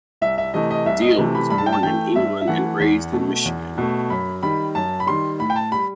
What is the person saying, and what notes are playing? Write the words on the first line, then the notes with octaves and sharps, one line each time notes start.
Deal was born in England and raised in Michigan.
C2 E5
E5
C3 E3 A3 D#5
D#5
C2 E5
D#5
C3 E3 A3
B5
G2 B5
A5
G5
A5
E3 A3 G5
G2 E5
E5
E3 A3 F#5
E2
B2 A3
E2
B2 A3
F#2 B5
D#3 G3 B5
F#2 A5
B5
D#3 G3 C6
A2 B5
G5
A5
G3 B5